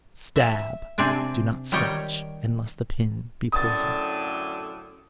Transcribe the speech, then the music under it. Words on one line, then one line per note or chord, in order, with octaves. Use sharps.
Stab, do not scratch, unless the pin be poisoned.
E5
C3 C4 D4 G#5
D#3 G3 C#5 G5
F#2 A2 D3 D#6 A6